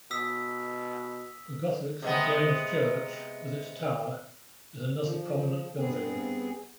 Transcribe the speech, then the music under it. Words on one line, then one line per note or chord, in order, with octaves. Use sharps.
The Gothic Saint James's Church, with its tower, is another prominent building.
B2 D#6 E6 B6
C3 G#3 B3
F3
G2 B3 C4 G#4